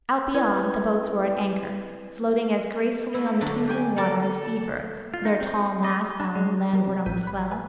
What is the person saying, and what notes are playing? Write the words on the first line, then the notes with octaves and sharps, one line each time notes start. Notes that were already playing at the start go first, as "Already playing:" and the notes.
Out beyond, the boats were at anchor, floating as gracefully on the twinkling water as sea birds, their tall masts bowing landward on the swell.
C4 E4 B4 G#6
A3 A#3 E4
D3 F#3 D4
G4 G5 G#5
A4 A#4 D5 A5
F4
D#4
C4
D#5
D4
G#3
G3 A#4
C3
A1 F3 G6 B6 D#7
B5 F#6
B4 G#5 A5